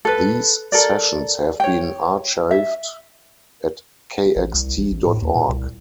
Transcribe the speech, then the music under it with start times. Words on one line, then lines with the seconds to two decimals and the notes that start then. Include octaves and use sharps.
These sessions have been archived at kxt dot org.
0.05 A4 B4
0.72 A4 A#4 D5
1.60 C#5 G5
2.51 E5
4.36 A1
4.54 C2
4.77 A1
4.91 A1
5.07 A2
5.22 D#2
5.35 A#2
5.49 C2